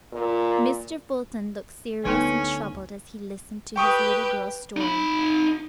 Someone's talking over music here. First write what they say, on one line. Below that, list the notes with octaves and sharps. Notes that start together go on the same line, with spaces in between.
Mr. Fulton looked serious and troubled as he listened to his little girl's story.
A#2
D2 D3 B3 C#4 D#4 E4 B4
G4 B4 G5 C#6 D#6
D#4 B5